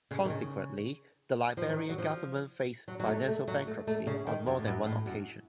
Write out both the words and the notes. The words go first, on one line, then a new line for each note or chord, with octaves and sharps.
Consequently, the Liberian Government faced financial bankruptcy on more than one occasion.
C#3
D#3
C#3
F3
D#3
F#3
F3
F#3
F#3
A3
A3
F#3
A3
A3
C#3
D#3
F#2
A2
F#2
A2
F#2